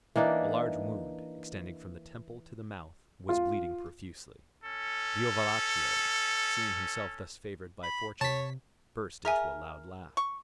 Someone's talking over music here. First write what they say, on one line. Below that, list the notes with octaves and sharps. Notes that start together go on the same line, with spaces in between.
A large wound, extending from the temple to the mouth, was bleeding profusely. Diovalaccio, seeing himself thus favored by fortune, burst into a loud laugh.
E3 A#3 D4 D#4
F4
C#4 A4
B5
C3 C#5 A5 B6
G#4 A#4 E5 G#5
C#6